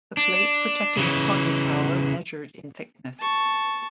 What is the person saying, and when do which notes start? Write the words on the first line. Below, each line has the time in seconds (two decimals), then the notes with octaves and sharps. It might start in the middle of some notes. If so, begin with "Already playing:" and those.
The plates protecting the conning tower measured in thickness.
0.17 D4
0.97 C#3 E3
3.19 A5 C#6